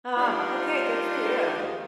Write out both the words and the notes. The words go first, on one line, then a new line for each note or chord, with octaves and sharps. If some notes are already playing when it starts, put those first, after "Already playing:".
Oh, okay, good for you.
G3 D4 D#4 F4
D#2 D#3 F3 G#3